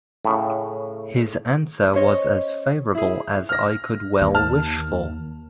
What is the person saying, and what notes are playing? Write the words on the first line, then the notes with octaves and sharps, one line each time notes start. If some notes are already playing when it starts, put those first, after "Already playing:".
His answer was as favorable as I could well wish for.
A2 C#3
C#4 C5 C#5 D#5
E4 G#4
F6 A#6
D#2
A5 F6